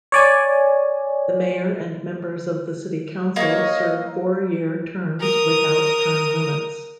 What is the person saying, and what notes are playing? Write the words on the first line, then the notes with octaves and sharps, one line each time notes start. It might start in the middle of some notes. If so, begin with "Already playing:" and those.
The mayor and members of the city council serve four-year terms without term limits.
C#5 D5 G#5
A#3 C#5 D#5
A#4 D#6